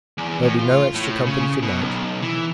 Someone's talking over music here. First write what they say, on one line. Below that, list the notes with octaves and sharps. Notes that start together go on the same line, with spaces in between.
There'll be no extra company to-night.
E2
A2
F4
A2
C#3
B2
B1
E3